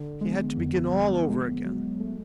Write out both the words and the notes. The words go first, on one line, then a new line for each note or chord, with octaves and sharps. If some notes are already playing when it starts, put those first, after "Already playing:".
He had to begin all over again.
Already playing: D3
G#3 B3
F2
F3
G#3
F#3
A3